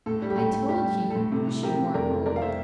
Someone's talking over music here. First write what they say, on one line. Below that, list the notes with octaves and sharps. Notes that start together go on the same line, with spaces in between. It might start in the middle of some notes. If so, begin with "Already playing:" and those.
"I told ye she wa'n't--old."
A2 A4
G3
G4
A2 A4
A2
G3 G4
G3
G3
A4
A2
C3 A4
E3
C3 G4 A#4
C3
F2 A#4 D5
F2
F2 A#4 D5
F5
C5 E5